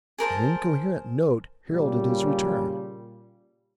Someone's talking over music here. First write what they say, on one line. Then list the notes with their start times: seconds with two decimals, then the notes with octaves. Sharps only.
An incoherent note heralded his return.
0.18 G#4 A#4 C5 A5
1.69 A#2 C#3 G3